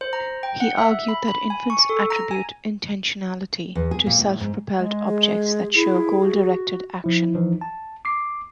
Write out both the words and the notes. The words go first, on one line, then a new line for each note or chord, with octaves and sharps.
He argued that infants attribute intentionality to self-propelled objects that show goal-directed action.
C5
A#5
G5
F#5
E5
B5
B5
G#5
C#6
A4
A#5
G#5
E2
G#4
A#2
A2
G#2
G#3
G#4
E4 G#4
F#4
F3 E4
E3 F3 D#4
A5
D6 C7